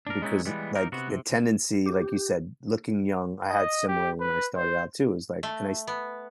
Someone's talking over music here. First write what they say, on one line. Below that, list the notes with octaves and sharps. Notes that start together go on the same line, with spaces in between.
Because like the tendency, like you said, looking young, I had similar when I started out too is like, and I s
D4 A#4
G#3 B3 C#4 D#4 E4
E3 G3 G#3 B3
A#3 D#4 A#4
C3 B3 F#4
C3
G4
D#5
G4
B4
C5
A3
B3